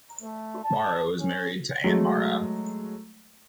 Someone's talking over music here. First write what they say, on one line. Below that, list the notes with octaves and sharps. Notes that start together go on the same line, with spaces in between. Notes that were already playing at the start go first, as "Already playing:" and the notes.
Mara was married to Ann Mara.
A3
A5
C#4
F#3 G#3 A3